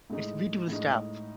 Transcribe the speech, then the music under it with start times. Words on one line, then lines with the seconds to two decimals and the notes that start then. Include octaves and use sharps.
It’s beautiful stuff.
0.10 A2 G#3 D#4
0.68 A2 G#3 D#4